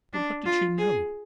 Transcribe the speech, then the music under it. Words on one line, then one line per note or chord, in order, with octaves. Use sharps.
"But what did she know?"
D4
F4
G#4